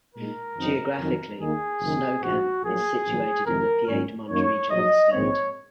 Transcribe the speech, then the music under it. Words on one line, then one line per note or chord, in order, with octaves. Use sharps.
Geographically, Snow Camp is situated in the piedmont region of the state.
A#2 G#3 D#4 A#4
F#2 D#3 F#3 C4 D#4
F2 D#3 F#3
D#2 D#3 A#3 D#4 G#4
F#1 F#2 D#3
A#1 G#2 F3 F#4
A#1 A#2 F#3 A#3 G#4
A#1 G#2 D#3 F#3
F2 C3 D#3 A#4
G#2 D#3 F#3 C#4
F#2 D#3 A#3 D#4 C#5
A#1 G#2 F#3 D#5
A#1 G#2 D#3 G#3 C4 C#5